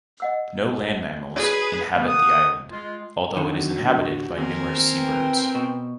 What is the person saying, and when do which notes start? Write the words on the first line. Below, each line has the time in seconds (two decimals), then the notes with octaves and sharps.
No land mammals inhabit the island, although it is inhabited by numerous seabirds.
0.20 D#5 F#5 E6
1.36 F#4 G#4 B4 C#5 D5
1.95 C3 E3 G3 A3 B3
2.08 D#3 A#3 F#5 D#6
2.71 G#3 F4
3.37 D3 D#3 F#3 F#4
3.79 A2 D3
4.37 D#2 C4 A#4 C5 G#5
4.99 B4 G5
5.55 B2